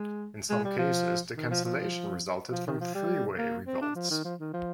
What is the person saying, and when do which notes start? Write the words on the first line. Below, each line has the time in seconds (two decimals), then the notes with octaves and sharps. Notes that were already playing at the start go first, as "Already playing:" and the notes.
In some cases, the cancellation resulted from freeway revolts.
Already playing: G#3
0.50 G#3
0.64 G3
0.79 F3
1.37 D#3
1.51 F3
1.65 F3
2.52 F3
2.67 D#3
2.81 F3
2.95 G3
3.38 A#3
3.67 C4
3.81 D4
3.95 F3
4.10 D#3
4.25 F3
4.40 D#3
4.53 F3